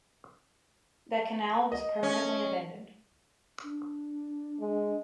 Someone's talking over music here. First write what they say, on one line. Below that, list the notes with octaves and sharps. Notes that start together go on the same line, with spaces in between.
The canal was permanently abandoned.
D#5
C#4
D4
G#3